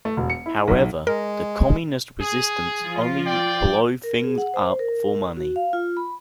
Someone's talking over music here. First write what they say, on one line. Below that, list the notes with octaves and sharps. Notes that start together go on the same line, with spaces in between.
However, the communist resistance only blow things up for money.
A3
E1
C#7
E4
B1
G#3 A#4
G#4
F3 F4
D5 G5
A#4
G#4
F#5
C5
A#4
F#4
F5
F4
B5